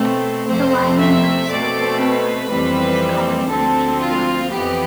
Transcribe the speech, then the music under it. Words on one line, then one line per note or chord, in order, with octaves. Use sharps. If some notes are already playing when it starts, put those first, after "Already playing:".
The liner notes were written by Lawrence Cohn and Pete Welding.
Already playing: B2 A3 C4
F2 C3 F3 A3 C4 C5
E5
B2 A3 C4 D5
B4
F2 E3 G3 C4
D2 D3 F3 C4 A4
F4
F2 E3 B3 G4